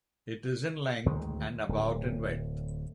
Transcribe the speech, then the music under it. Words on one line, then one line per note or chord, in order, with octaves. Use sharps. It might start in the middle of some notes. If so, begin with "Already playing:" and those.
It is in length and about in width.
D2 D#3 G#3
D1